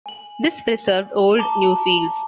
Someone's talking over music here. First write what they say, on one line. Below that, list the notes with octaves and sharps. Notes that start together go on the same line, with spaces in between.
This preserved old Newfields.
G#5 F#7
A5 A#5 D6 G7